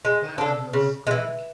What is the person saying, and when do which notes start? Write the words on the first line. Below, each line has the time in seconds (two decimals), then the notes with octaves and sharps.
Where are yous going?
0.05 G#3
0.38 D4 A4
0.73 C#3
1.07 G#3
1.11 E3